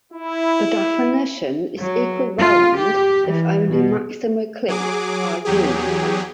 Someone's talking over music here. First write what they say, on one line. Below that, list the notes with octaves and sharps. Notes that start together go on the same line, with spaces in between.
The definition is equivalent if only maximal cliques are used.
E4
F#3
F4
G4
E3
B2
F#3 G#4 D6
E2 F#3 G4 G#4